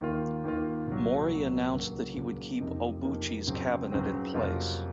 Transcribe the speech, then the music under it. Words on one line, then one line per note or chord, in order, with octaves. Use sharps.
Mori announced that he would keep Obuchi's cabinet in place.
D#2 D#3 A#3 F4
D#2 D#3 A#3 F4
C2 A#2 F#3
C2 A#2 F#3
C#2 C#3 F#3 A#3
C#2 C#3 F#3 A#3
F2 C3 F3 A#3 D#4
F2 C3 F3 A#3 D#4
C#2 C#3 F#3 C4
C#2 C#3 F#3 C4
F2 C3 F#3 A#3 F4